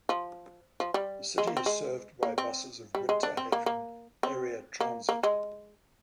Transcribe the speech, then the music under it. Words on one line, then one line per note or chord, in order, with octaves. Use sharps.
The city is served by buses of Winter Haven Area Transit.
F3
F3
G3
G#3
A#3
C4
G#3
A#3
C4
G3
G#3
D4
C4
A#3
A#3
C4
A#3
A#3
G#3